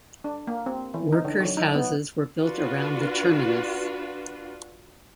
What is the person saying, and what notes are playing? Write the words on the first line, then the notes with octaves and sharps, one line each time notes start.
Workers' houses were built around the terminus.
D4
A#3
C4
E3
D#4
D3
F#3
D#4
B3
D4 F4 F#4 B4